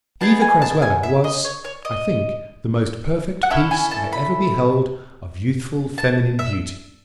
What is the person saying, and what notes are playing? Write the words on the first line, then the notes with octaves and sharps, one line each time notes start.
Eva Crasweller was, I think, the most perfect piece I ever beheld of youthful feminine beauty.
B3 D#4 G#4 A5
G#5
A5
G#5
E5
D#5
C#5
C#5
D#5
F#5
C#4 E4 A4 E5
G#5
A5
B5
A5
E5